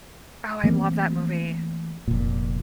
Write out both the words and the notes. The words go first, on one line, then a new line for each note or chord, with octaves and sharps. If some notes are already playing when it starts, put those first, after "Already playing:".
Oh, I love that movie.
E3 A3 A#3 C4
F1 A#2